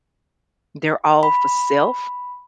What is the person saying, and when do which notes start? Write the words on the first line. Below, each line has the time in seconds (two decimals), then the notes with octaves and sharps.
they're all for self,
1.23 B5